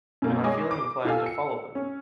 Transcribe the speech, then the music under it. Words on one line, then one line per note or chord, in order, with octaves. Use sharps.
And I’m feeling inclined to follow them.
F#2 B2 A#3
G#3 C#5 D#5 G#5 D6 A#6
D6
F4 G4 A4 F5 G#5 E6
C#7
C#4